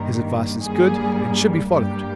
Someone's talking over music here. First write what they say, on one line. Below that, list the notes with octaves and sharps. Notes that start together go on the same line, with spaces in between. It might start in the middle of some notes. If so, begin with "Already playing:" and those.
His advice is good, and should be followed.'
Already playing: G2 D#3 G3 A#3 A#4
G2 G3 A#3 G#4
G2 G3 A#3 G4